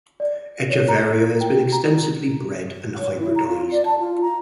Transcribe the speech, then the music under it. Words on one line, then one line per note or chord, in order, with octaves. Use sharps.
"Echeveria" has been extensively bred and hybridised.
D5
C#5
A#5
G5
A#5
C#5
E4
A#5
F4
D5
A5
F4
A#5